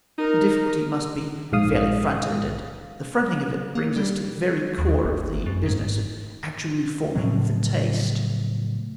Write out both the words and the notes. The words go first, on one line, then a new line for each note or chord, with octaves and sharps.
The difficulty must be fairly fronted, and the fronting of it brings us to the very core of the business of actually forming the taste.
D#4 A#4
A#1 G#2 F5 D#6
A#3
G3
D#2
G1
F#2
G#2
A2 C#3 F3 F#3